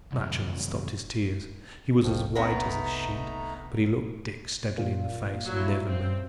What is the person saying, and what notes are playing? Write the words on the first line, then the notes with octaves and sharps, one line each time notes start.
Matcham had stopped his tears; he was as white as a sheet, but he looked Dick steadily in the face, and never moved.
C2 F#2
F1 C2 F2 D#3 F3
C3 A3 B3 D#4 A#4 A#5
A#2
F#3 E4
C4